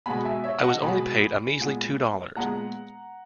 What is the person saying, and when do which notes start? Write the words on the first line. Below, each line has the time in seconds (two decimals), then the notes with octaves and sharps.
I was only paid a measly two dollars.
0.06 B2 G#3 B3 G#5 B5
0.25 E5 G#5
0.44 C#5 E5
0.64 D#5 F#5
0.82 B2 G#3 B3 G#5 B5
1.60 A#2 G#3 B3
2.36 A#2 G#3 B3 F#5 A#5